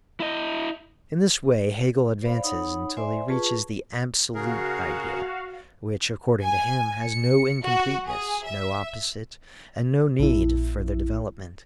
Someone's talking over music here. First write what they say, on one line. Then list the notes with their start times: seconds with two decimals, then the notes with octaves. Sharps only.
In this way Hegel advances until he reaches the 'Absolute Idea', which, according to him, has no incompleteness, no opposite, and no need of further development.
0.20 E4 D#5
2.22 C5 D5 F5 B5
2.43 D#4 C#5 F#5 B5 D#6
2.97 C5 D5 E5 G#5 C6
3.28 F4 G#4 B4 A5 C#6
4.35 C#3 F#4 G#4 A#4 F5
6.42 G#5
7.06 C#7
7.64 F#4
8.07 G#4
8.44 E5
10.19 A#1 E4